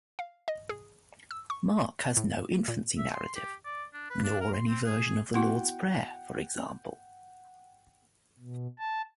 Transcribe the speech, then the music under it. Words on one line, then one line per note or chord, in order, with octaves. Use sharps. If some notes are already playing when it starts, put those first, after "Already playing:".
Mark has no infancy narrative nor any version of the Lord's Prayer, for example.
F5
D#5
G#4
E6
C#6
A2
A#2
E5
C6
G4
D5
D4
B4
D4
A#4
C6
C4
G#4
B3 E4 F#4 F#5 G5
B2
A5